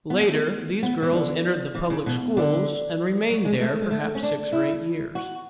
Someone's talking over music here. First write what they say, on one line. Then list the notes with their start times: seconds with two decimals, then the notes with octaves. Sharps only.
Later, these girls entered the public schools and remained there perhaps six or eight years.
0.10 B3
0.21 A3
0.83 B3
1.02 E3
1.13 D3
1.75 E3
1.90 C#3
2.06 B2
2.37 D3
3.30 F#3
3.45 G#3
3.61 A3
3.82 G#3
3.91 A3
4.15 C#4
4.23 D4
4.53 E4
5.15 F#4